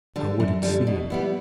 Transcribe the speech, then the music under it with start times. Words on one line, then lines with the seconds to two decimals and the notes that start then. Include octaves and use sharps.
How would it seem?
0.16 D3 G3
0.40 F#2
0.63 D3 G3
0.87 B2
1.10 G3 B3 E4